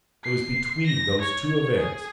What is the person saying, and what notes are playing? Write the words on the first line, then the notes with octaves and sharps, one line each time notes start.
It was between those two events.
C7
A#6
C#5
G#4